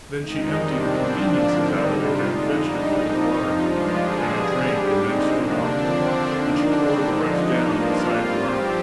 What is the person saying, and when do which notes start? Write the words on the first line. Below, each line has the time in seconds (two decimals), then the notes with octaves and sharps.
Then she emptied the conveniences out of it and fetched it full of water, and I drank and then stood up, and she poured the rest down inside the armor.
0.20 F2 D#3 G#3 D#4
0.54 C3 D#3 G3 C4 D4
0.88 G#2 F3 C4 D4
1.22 D3 F3 A#3
1.56 D#2 D3 G3 C4 D#4
1.90 C3 G3 D4 F4
2.25 F2 D3 G#3 D#4
2.59 G#2 G3 D4 D#4
2.93 A#2 F3 C4
3.27 F2 C3 F3
3.61 G2 F3 G#3 D4 F4
3.95 G2 D3 F3 G#3 D4 G#4
4.30 D3 G3 C4
4.63 G#2 G3 D4 G4
4.97 D3 G#3 C4 D#4
5.31 C3 F3 A#3 D4
5.65 D#2 D3 F3 C4
6.00 D3 F3 C4
6.33 F2 D#3 A#3 D4 D#4
6.67 D3 G3 C4 D4
7.02 D3 F3 G#3 D#4
7.36 G2 F3 A#3 D4 D#4
7.70 G2 F3 A#3 D4 F4
8.04 G#2 G3 C4
8.38 G2 F3 C4 G4